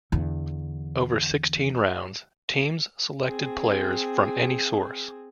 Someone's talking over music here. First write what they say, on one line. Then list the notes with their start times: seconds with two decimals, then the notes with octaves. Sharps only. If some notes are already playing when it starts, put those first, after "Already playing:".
Over sixteen rounds, teams selected players from any source.
0.12 E2 D3
3.26 C4 G#4